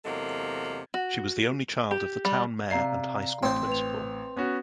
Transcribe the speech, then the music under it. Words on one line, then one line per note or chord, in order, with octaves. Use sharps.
She was the only child of the town mayor and high school principal.
E2 C3 F#3 G#3 A#3 A4
F#4
G4
G3
C3 D5 F5 A#5 C7
A1 C4 C5
B4 F7
B3 C#4 F#4